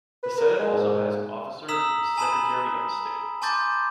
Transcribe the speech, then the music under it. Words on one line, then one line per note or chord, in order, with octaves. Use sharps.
The Senate also has as an officer the Secretary of the Senate.
B4
A#4
G#3
G#2
A#5 D#6 E6 B6 E7 F#7
G#5 A5 B5 D#6 E7 F#7
G#5 A5 C6 D6 G6 A6